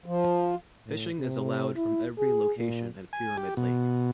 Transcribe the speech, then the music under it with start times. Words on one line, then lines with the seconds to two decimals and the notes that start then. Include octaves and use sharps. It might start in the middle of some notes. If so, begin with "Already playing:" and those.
Fishing is allowed from every location at Pyramid Lake.
0.06 F3
0.87 A2
1.19 C3
1.76 E4
2.18 G#4
2.57 A#2
3.13 G#5
3.37 G4
3.57 B2